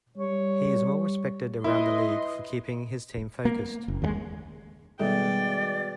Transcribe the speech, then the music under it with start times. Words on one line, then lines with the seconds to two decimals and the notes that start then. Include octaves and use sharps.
He is well respected around the league for keeping his team focused.
0.17 G3 C#5
1.64 E4 B4 D#5 C6
3.45 A#3
3.88 F#1
4.02 D#2 C#3 G#3
4.99 B2 D#3 G3 G#3 A4 D5 G5